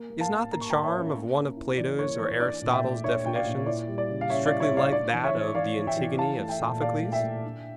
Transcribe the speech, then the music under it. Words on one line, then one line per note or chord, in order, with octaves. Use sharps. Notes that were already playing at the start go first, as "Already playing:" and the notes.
Is not the charm of one of Plato's or Aristotle's definitions, strictly like that of the Antigone of Sophocles?
Already playing: A#3
A#3
F5 A5
A#3
A#3 A#5
C#6
G5 A#5
A#3
C#5 E5
C#4
A#3
C#4
E4
E3 D5
A#3 C#5
E3 C#5
D4 D5
A#2
E5 G5
A3
D4 C#5 E5
D4 G5
D5 F5
A#2
E4 D5
G3
D5
C#3
F5
C#4 C#5 E5
D5 F5
E4
C#5 E5
E4
D5 F5
D4 D5
E3
C#5 E5
E3
E3 D5 F5
E3
E5 G5
E3
E4 F5 A5
A3
E5 G5
A#2
A#2 D5 F5
A3
E5 G5
A3
D4